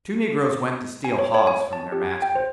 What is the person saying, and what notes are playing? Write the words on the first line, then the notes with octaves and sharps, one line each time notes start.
Two negroes went to steal hogs from their masters.
G#5
C#5
C#5
G#5
C#5
A5
G4
G#6
G5
C5